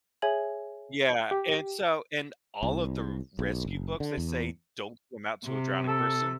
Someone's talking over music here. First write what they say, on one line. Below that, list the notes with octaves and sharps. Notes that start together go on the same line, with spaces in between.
Yeah, and so in all of the rescue books, they say, "Don't come out to a drowning person."
G#4 C#5 E5 G#5 G#6 F#7
G4
C2
B1
F#1
D3
E2
C3
A4